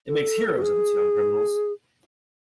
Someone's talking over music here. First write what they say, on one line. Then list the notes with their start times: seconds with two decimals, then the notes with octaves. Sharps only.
It makes heroes of its young criminals.
0.08 A4
0.58 F#4
0.62 G#4